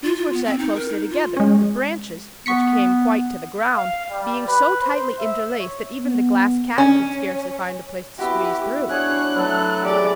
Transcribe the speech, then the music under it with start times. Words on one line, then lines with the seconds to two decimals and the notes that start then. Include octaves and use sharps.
These were set closely together, the branches, which came quite to the ground, being so tightly interlaced that even the Glass Cat could scarcely find a place to squeeze through.
0.04 F4
0.16 F4
0.33 B3
0.45 C4
0.59 D#4
0.76 A#4
0.89 D#4
1.10 F4
1.37 G#3 C#4
2.46 B3 C#6 B6 C#7
3.76 F5
4.09 G3
4.46 B4
4.81 C5
5.19 E5
5.58 C#5
5.97 B3
6.78 C#4
8.19 B3 E4 F#4 G4
8.90 D4 G#4 C#5 D5 F#5 F#6
9.36 F#3 A3 B3 A4
9.85 G4 G#4 D5 B5